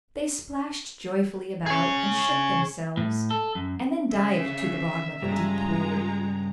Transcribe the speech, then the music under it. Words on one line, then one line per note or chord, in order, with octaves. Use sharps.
They splashed joyfully about, and shook themselves, and then dived to the bottom of a deep pool.
G#4 C#5
A2
A4
F#2
C#3 E5
G2 C#3 G#3 F4 A#5